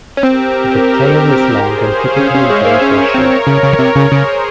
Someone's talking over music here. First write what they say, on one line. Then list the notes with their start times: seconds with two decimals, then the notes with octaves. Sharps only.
The tail is long and typically very bushy.
0.17 C#4
0.23 C4 G4 A#4
0.87 G4 A#4
1.53 G#4 C5
1.85 C#5 F5
2.17 C#4 C5 E5
2.34 C#4
2.50 G#3
2.65 A#3
2.81 C#4 A#4 C#5
3.14 C4
3.47 C#3
3.63 C#3
3.79 C3
3.96 C#3
4.11 C#3 G#4 C5